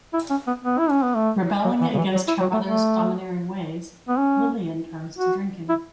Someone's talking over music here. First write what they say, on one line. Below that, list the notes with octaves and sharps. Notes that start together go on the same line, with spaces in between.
Rebelling against her mother's domineering ways, Lillian turns to drinking.
E4
C#4
B3
B3
E4
C#4
B3
A3
F#3
E3
C#3
E3
F#3
E4
F#3
A3
A3
B3
C#4
F#4
E4